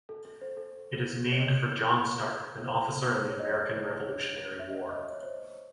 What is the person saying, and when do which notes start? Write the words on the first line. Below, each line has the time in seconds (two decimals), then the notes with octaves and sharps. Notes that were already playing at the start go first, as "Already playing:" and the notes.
It is named for John Stark, an officer in the American Revolutionary War.
0.09 A4
0.25 A4
0.41 C5
0.57 A4
1.32 C#5
1.37 D#5
2.66 C5
2.87 A4
3.09 C5
3.30 C#5
3.39 D#5
3.49 C#5
3.95 C#5
4.59 E5
4.69 D#5
4.80 C#5
4.91 D#5
5.03 D#5
5.12 C#5
5.23 C5